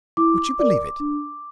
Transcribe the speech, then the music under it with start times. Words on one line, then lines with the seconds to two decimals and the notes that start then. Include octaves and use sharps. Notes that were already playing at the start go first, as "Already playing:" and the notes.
Would you believe it?
0.17 E4 D6
0.59 A#4 D5
1.00 D4